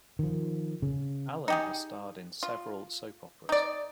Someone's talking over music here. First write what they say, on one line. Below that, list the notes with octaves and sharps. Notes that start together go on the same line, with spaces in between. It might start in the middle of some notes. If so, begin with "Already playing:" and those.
Allan has starred in several soap operas.
D#3 F3
C#3
D#4 G4 G#4
F4
D#4 D5